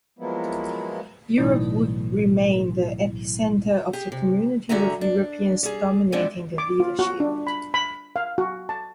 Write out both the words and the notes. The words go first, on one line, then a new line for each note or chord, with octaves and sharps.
Europe would remain the epicenter of the community with Europeans dominating the leadership.
F3 F#3 G#3 A#3 B3 E4
B1 A2 C3 E3 D#4 D5
G4 G#4
C3
G2 D3 F#4 G#4 E5 A#5
D4
G3 G#4
E3 G#3 B3 C4 D4
D6
F4
F#4
D4
B5
B5
F5
F#4
A5